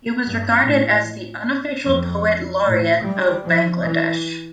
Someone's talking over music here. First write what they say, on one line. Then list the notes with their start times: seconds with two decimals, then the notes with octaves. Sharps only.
He was regarded as the "unofficial poet laureate" of Bangladesh.
0.24 G2
0.64 A2
1.84 F2
2.64 A2
3.03 G3
3.44 F3
3.84 E3